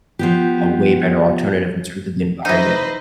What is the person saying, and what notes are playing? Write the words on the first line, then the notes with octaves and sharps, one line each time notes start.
a way better alternative in terms of the environment
F3 B3 G4
E3 D#4 B4 C5 D#5